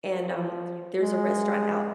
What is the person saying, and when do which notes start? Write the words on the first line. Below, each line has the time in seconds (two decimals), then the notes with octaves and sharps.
and, um, there's a restaurant out
0.20 F3
1.01 G#3